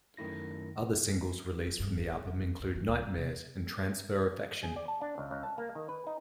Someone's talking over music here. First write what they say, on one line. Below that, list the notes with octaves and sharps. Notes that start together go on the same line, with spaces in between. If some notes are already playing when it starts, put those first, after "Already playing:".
Other singles released from the album include "Nightmares" and "Transfer Affection".
F#2 D#3 A3 E4 A#6
C4
G2
F#1
A#1
G#1
F2
D2
E3
D2
F#2
C3
G#4
D5
A5
D4
C#2
C#2
A5
A#3
D#3
B4
D#4